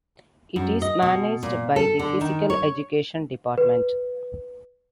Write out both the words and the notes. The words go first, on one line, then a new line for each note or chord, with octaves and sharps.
It is managed by the Physical Education department.
F#2
D#5
B2
A#2
A4
D3
D#3
C#5
B4